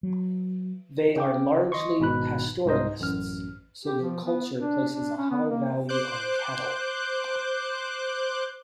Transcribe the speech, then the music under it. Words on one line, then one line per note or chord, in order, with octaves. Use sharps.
They are largely pastoralists, so their culture places a high value on cattle.
F#3
C#3 G5 D6
D#5 C6 C#6
G#1 G#2 B2 B5 F#6
C2 G#2 D#4 C5 D#5
A1 F#2 F6
G4
F3
B3
D4
D4
C#4
B3
A#3
C5 D6 F#6 G6